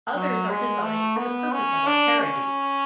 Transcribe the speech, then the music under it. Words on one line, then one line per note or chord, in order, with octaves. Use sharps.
Others are designed for the purpose of a parody.
F#3
G#3
A3
B3
C#4
D4
C#4